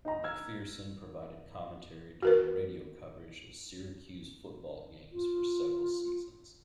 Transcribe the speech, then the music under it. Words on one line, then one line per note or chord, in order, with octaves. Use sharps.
MacPherson provided commentary during radio coverage of Syracuse football games for several seasons.
D#4 D#5 A#5
E6 F6 G#6
F#4 A#4 B4
F4